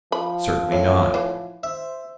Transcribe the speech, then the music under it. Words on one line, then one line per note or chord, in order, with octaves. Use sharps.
Certainly not.
F3 B5
A2
E3 F5 F#5
C5 E5